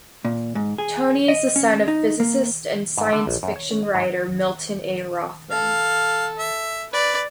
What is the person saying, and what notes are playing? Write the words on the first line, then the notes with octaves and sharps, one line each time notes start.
Tony is the son of physicist and science fiction writer Milton A. Rothman.
A#2
G#2
G#4
D#5
C#4
D#4
A#3
G#2
D3
A#1
F#2
C#5
C#4
D#5
G#2
A4 F5
E5
B4 D5